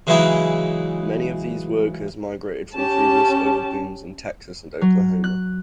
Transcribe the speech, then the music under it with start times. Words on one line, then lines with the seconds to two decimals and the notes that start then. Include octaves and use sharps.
Many of these workers migrated from previous oil booms in Texas and Oklahoma.
0.07 C#3 E3 F#3 G#3 D#4 E4
2.74 C#4 G4 A5
4.81 F#3
5.24 F#6